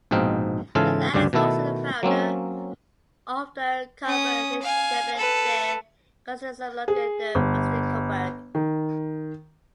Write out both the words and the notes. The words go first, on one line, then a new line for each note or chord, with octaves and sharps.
The latter is also the founder of the Kupferstichkabinett der Kunstsammlungen der Veste Coburg.
A#1 G#2 B2 C4 D#4 F5
G#2 C#3 E3 F4 A4 F5
D2 G2 C#3 D5 G5
B2 D#3 A3 E4 A4
F#3 A#3 C4 C#4
C#4 D#6
F5 G#5
A4 B4
G#4
G1
D#3